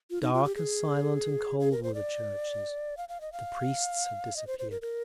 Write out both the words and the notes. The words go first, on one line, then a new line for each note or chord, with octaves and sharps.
Dark and silent and cold were the churches; the priests had disappeared.
F4
D#4
F4
G4
G#4
G#4
A#4
C5
D5
F5
F5
D#5
F5
D#5
C5
C5
A#4
A#4